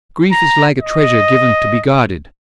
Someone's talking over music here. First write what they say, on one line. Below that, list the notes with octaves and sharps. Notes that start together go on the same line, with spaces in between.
Grief is like a treasure given to be guarded.
A#5
D#5